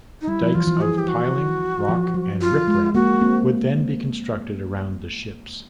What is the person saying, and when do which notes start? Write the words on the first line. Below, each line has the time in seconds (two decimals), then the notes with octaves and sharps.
Dykes of "piling, rock and riprap" would then be constructed around the ships.
0.21 D#4
0.28 G3 E4
0.42 F3
0.54 E3 F4
0.68 E3
0.81 G#4
0.99 G4
1.08 F#4
1.89 F3
2.14 F#3
2.42 F4
2.68 G#3
2.95 G#3 A#3 F#4
3.21 A#3 C4